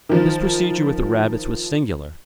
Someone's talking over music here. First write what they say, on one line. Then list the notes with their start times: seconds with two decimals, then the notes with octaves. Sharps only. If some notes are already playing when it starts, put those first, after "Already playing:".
His procedure with the rabbits was singular.
0.09 D#3 F3